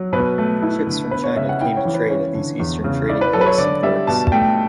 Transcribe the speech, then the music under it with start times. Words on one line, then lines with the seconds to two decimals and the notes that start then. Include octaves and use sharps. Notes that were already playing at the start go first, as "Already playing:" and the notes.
Ships from China came to trade at these eastern trading posts and ports.
Already playing: F#3
0.13 B2 B4
0.38 A3
0.62 E4
0.87 D3
1.11 B3 B4
1.24 C#5
1.36 C#3 E5
1.49 F#5
1.61 E4 G5
1.77 C#5
1.85 E3
1.94 B4
2.10 C#4 C#5
2.35 D3
2.60 E2
2.84 C#3
3.09 E4 D5
3.21 B4
3.33 F#3 A4
3.41 B4
3.46 C#5
3.58 D3 D5
3.83 G3 E5
4.07 B2 A5
4.32 A3 G5